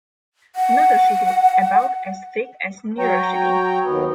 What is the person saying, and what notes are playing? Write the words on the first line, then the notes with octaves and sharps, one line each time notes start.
Notochaetae about as thick as neurochaetae.
F#5
F#3 C#5 G5 A#5
D#2 B3